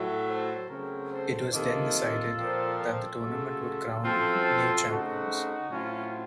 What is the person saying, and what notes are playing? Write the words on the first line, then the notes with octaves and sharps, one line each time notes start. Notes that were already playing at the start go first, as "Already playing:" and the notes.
It was then decided than the tournament would crown new champions.
Already playing: A2 F#3 A3
A4 C5
C#3 F#3 A3 C4 A#4 C#5
A4 C5
C3 D#3 A#3 F4 A4
A#2 F3 C4
F4 A4
C#3 F#3 A3
F#2 F3 C4 F4 A4
C#3 A3 C4 D#4 F#4
A2 F#3 C4 C#4 F4